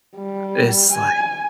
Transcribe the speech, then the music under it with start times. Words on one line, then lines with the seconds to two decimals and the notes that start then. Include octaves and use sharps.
it's like
0.18 G3
0.93 G#5